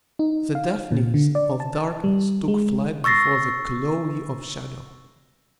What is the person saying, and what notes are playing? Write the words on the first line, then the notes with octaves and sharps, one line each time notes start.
The Daphnis of darkness took flight before the Chloe of shadow.
D#4
F5
A#2
D3
D5
A5
G3
G#3
C#6 E6 A6 A#6 C7